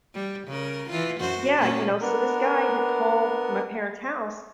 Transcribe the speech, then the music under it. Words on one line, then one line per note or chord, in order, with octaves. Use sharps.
Yeah, you know, so this guy had called my parents' house
G3
C#3 A#4
E3 F4
F#2 F#4 C5
A#2 A#3 C#4
B3 D4 A#4